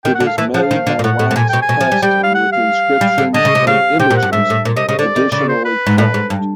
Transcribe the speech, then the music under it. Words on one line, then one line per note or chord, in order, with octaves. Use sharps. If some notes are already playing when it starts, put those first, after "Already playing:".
It is made by wax casting with inscriptions and images additionally carved.
D#3 G5
F#5
D3
F5
E3 E5
F3 F#5
F5
D#3
D3
A#2
A2 F#5
A2
A2
A#2 G#5
B2 G5
G#5
B2
F3
G3
G3 G5
F5
F#5
F5
G3
D3
D3 D#5
C#3
C3
C#3 F5
C3 G5
A#2
F#5
G2
G#2 E5
A2
A#2
C3 D#5
C#3 D#5
D3 D5
D#3
C#3 D5
C5
B4
G#2
A2 B4
G#2
G2